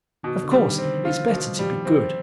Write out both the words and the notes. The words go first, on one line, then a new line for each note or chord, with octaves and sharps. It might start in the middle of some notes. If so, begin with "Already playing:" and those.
Of course it's better to be good.
B2 D#3
D3
G3
D#3
D#3 C4
D3
F3
D#3 F4
B2
G3
F3 G3
D#3
F3 C4